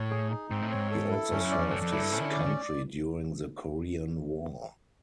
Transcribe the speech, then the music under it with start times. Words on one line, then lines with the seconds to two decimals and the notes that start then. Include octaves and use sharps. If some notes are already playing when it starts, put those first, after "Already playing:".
He also served his country during the Korean War.
Already playing: A2 C#5
0.10 G#4
0.30 D#4
0.51 G#2 C4
0.62 A2
0.71 G#2 C#5
0.91 A4
1.10 E4
1.32 G2 C#4
1.40 F2
1.44 F#2
1.51 D5
1.59 F2
1.71 F#2 A4
1.82 F2
1.91 F#2 E4
2.02 G2
2.11 G#2 C#4
2.21 D#3
2.25 D3
2.32 D5
2.39 D#3
2.46 D3